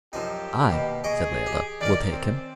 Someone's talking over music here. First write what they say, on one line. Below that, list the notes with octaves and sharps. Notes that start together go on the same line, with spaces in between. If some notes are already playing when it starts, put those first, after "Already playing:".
"I," said Layelah, "will take him."
F#2 F3 D#4 G4
D#2 B2
G#4 D#5 C#6 D6
G4
D#3 C#4 A#4 D5
C4